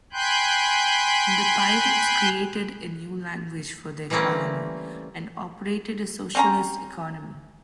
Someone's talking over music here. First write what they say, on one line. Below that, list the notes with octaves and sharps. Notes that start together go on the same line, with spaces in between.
The pirates created a new language for their colony and operated a socialist economy.
G5 G#5 B5 C6 F#6 G6
E3 G3 A3 A#3 C4 C#4
C4 C#4 A#5